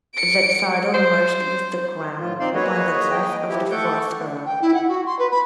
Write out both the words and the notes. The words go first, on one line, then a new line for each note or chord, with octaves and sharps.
The title merged with the Crown upon the death of the fourth Earl.
C#7 D7
C5
A2 F4
C4 D#4 C5 D5 F5 C6
A#3 F#4 G#4 B4 C#5 D#5
D#5 G5
E3 F3 E4 G4
A3 A4 F#5 C#6 D6 G6
G5
E4
F#5
F#4
C6
B4
B5